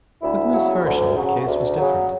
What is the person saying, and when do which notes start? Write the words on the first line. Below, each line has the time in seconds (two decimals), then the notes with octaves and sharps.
With Miss Herschel the case was different.
0.22 D2 E4
0.54 C#3 F#3
0.84 D2
1.16 C#3 F#3
1.46 D2
1.77 C#3 F#3